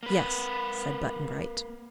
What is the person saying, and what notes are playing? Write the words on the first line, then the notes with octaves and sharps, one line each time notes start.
"Yes," said Button-Bright.
A#3 B4